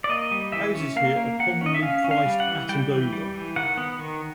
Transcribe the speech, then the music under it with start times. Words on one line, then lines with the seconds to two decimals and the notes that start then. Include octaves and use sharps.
Houses here are commonly priced at and over.
0.04 D5
0.09 A#3 D#5
0.31 G3
0.52 E3 E5
0.75 C#4
0.96 A#3 F5
1.17 A#3
1.39 A#3 F#5
1.61 C#4 D#5
1.74 E5
1.82 C#4 F5
2.04 C#4
2.11 F5
2.26 G3
2.40 F#5
2.48 E3
2.69 G3 G5
2.91 E3
3.13 G3
3.34 E3
3.56 D#3 F#5
3.77 B3
3.99 D#3